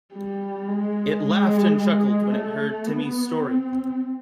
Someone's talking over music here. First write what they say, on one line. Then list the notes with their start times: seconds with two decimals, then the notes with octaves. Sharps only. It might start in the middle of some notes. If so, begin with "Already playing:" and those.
It laughed and chuckled when it heard Timmy's story.
0.13 G3
0.68 G#3
1.23 G#3
1.78 G#3
2.32 A3
2.86 B3
3.42 C4